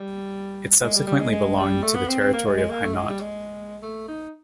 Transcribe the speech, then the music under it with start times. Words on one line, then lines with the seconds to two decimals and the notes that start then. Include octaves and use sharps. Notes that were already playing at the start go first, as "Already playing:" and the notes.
It subsequently belonged to the territory of Hainaut.
Already playing: G3
0.83 G#3
0.95 G3
1.07 G3
1.20 G#3
1.32 G#3
1.58 G3
1.82 A3
1.95 B3
2.08 C4
2.21 C4
2.33 A#3
2.46 G#3
2.57 G#3
2.70 A#3
2.83 A3
2.95 G#3
3.08 G3
3.20 G#3
3.82 A3
4.08 D#4